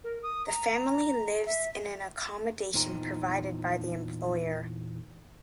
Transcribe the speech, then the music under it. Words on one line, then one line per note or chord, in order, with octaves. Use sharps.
The family lives in an accommodation provided by the employer.
A#4
D#6
A#5
E5
E2 A#2 D#4 C5 G5 A#5